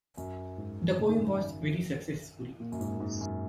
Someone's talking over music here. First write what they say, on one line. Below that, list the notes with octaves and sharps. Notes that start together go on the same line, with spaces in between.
The poem was very successful.
F#2
G#2
C#3
D#3
C#3
A#2
F#2
G#2
G#2
F#2